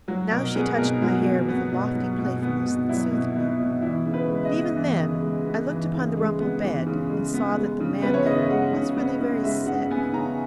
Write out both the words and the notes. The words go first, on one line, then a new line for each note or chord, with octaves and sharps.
Now she touched my hair with a lofty playfulness that soothed me: but even then I looked upon the rumpled bed, and saw that the man there was really very sick.
F#3 F#4
B2 A#4
B3 G#4
B2 A#4
F#3 F#4
B2
B3
B2
F#3
B2
B3
B2
F#3 E4
B2
B3 D#4
B2
E3 E4
C#3
B4
G#3
D#5
B3
E3 E5
C#3
G#3
B3
E3
C#3
G#3
B3
E3
C#3
G#3
B3
G#3
C#3
B3 B4
C#5
C#3 D#5
E5
G#3 F#5
C#3
B3
C#3
G#3 E5
C#3 F#5
B3 G#5
C#3 A#5